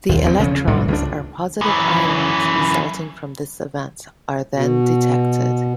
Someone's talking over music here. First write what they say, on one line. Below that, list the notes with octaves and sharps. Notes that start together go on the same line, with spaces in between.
The electrons or positive ions resulting from this event are then detected.
D#2
E2 A3 C4
C#3 F3 C#4
A1 G#2 C3 G3
C#2 G#3 D4
F#2 E3
B2